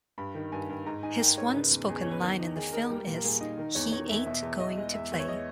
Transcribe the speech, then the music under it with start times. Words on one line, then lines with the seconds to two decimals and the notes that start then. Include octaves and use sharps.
His one spoken line in the film is, He ain't going to play.
0.18 G2 B5
0.35 D#3
0.52 G2 G#5
0.69 G2
0.86 G#2 A#5
1.03 D#4 G#5
1.20 A#3 G5
1.37 G#2 C#5
1.54 C#3 B4
1.71 E2
1.88 E2 G#4
2.01 E2 C#5
2.11 B4
2.22 D#3 A#4
2.40 D#4
2.56 D#3 G#4
2.73 D#4 A#4
2.90 G3 A#4
3.07 A#2
3.16 A#4
3.24 A#2 G#4
3.41 D#4
3.58 D#3 A#4
3.75 E2 C#5
3.92 E2 C#5
4.09 E2 E5
4.26 B2 E5
4.42 E2
4.60 E2 D#5
4.78 G#3
4.94 E2 E5
5.12 E2
5.19 C#5
5.28 D#5